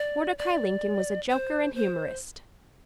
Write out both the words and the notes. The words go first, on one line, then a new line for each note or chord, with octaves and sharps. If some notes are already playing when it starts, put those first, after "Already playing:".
Mordecai Lincoln was a joker and humorist.
Already playing: D5
D5
C5
C5